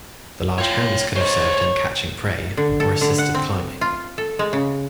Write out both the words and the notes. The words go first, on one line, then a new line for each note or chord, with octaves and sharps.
The large hands could have served in catching prey or assisted climbing.
F4 C#5 G5
C5 C#5 D#5
D3
A4
D3
F#5
C4
F4
A4
G#3
C#3